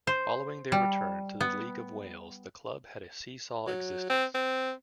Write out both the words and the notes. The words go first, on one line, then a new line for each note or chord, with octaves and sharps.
Following their return to the League of Wales the club had a see-saw existence.
C5
G3
B3
F#3
C4
C4